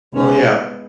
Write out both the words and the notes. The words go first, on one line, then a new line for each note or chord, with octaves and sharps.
Well, yeah.
C#3 G#3 B3 C#4 D#4